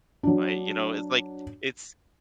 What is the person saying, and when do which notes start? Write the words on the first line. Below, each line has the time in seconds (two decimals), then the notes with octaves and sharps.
Right, you know, it's like, it’s
0.23 F#3 D4